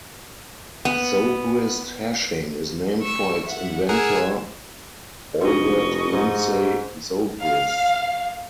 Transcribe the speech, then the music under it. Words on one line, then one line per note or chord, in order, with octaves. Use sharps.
Zobrist hashing is named for its inventor, Albert Lindsey Zobrist.
B3
C#6 E6
E5 F#5
G#4 A#4 F#5 E6 G#6
F1 D4 D#4 F#4 D#5 C#6
G#2
F5